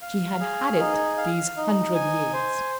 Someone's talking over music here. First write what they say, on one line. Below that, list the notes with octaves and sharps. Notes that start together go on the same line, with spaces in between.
She had had it these hundred years.
F5
G#4
D#4
F5
D#4
G#5
C5